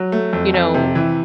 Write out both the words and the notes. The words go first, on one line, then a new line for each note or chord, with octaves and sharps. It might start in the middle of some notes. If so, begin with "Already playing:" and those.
you know,
Already playing: F#3
A3
F2
F2
C3
E3